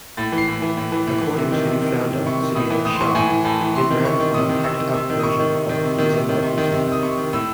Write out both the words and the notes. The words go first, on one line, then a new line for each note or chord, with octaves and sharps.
According to founder Sunir Shah, it ran on "a hacked-up version of UseModWiki".
A2 A6
E3
C7
A2
E3
A2
E3
A2
E3
C3
D#3
C3
D#3
C3
D#3
C3 C#6
D#3
A2 D#6
E3
A2 D#6
C6
E3 C#6
A2 G#5
E3
A2 A5
E3
C3 C6
D#3
C3 C#6
D#3
C3 D#6
D#3
C3 E6
D#3
C3 E6
D#3
D#6
C3 C#6
D#3
C3
D#3
C3
D#3
C3
D#3
C3
D#3
C3
D#3 D#6
C3 C#6
D#3
A2 E6